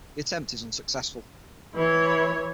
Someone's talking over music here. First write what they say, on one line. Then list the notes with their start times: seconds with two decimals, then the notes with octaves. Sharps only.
The attempt is unsuccessful.
1.75 E3 C#5